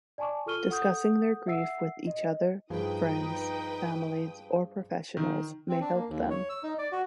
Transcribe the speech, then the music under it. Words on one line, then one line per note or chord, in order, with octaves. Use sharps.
Discussing their grief with each other, friends, families, or professionals may help them.
D5 G#5 A5 C#6 D6
F4 A4 C#6 F6 D#7 G7
A4 F#5 D#6 G6
E5 F#5 E6 C7
D#5
G2 F3 D#4 G#4 B4 G5 D#6
D#3
C4
D4
A#3
D#2
C#5
E6
D#4
D5
F#4